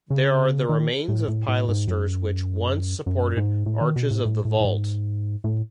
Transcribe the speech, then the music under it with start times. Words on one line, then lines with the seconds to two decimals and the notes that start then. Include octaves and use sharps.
There are the remains of pilasters which once supported arches of the vault.
0.10 C#3
0.69 D#3
1.08 A2
1.28 A2
1.48 A2
1.68 G#2
1.88 F#2
3.06 F#2
3.37 G#2
3.66 A2
3.81 D#3
3.96 B2
4.11 A2
4.25 A2
4.45 A2
4.60 A2
4.65 G#2
5.44 A2